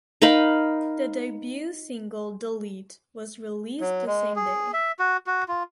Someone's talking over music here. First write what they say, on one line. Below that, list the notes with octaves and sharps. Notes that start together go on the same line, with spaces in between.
The debut single "Delete" was released the same day.
D#4 A#4 F5 B5
F#3
G#3
G#4
E5
F#4
F#4
F4